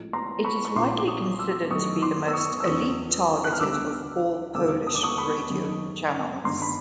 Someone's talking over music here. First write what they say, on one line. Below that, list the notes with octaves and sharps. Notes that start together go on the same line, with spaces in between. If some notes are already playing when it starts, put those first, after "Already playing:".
It is widely considered to be the most elite-targeted of all Polish radio channels.
Already playing: A1 A2 F3 G#3
A#5 C6
B5 C#6
C#6
A#1 A#2 F3 A#3 C6 D6
D6
C#6 D#6
D6 E6
F#2 D#3 F#3 A3 C#6 D#6
C6 D6
E6
C#6 D#6
E6
E2 C#3 F3 A3 C#6 D#6
F#6
F6
D2 D3 G3 D6 E6
E1 D#2 D3 G3 A#3 D6 E6
D#6
D6
C#6 D#6
B5 C#6
F#1 F#2 D#3
G1 G2 D#3 G#3 A#5 C6
B5